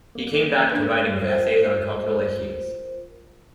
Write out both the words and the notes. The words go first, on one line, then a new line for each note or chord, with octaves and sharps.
He came back to writing with essays on cultural issues.
A#3
D4 B4
F4 A#4 C5